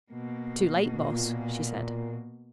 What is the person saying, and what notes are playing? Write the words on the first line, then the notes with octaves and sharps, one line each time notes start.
"Too late, Boss," she said.
B2 A#3
A#2